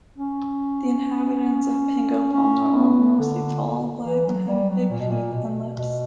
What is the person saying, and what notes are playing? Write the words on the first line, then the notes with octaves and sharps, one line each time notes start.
The inhabitants of Pingo-Pongo are mostly tall, black, and have big feet and lips.
C#4
C#4
B3
D3
E3
F#3
G3
F#3
A#2
B2
A#2
B2
B2